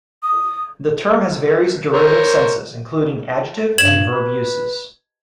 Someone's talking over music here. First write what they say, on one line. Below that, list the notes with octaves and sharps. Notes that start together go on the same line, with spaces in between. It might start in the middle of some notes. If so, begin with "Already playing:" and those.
The term has various derivative senses, including adjective and verb uses.
D#6
A#4 C5 C#5
G2 G#6 E7 F#7
B4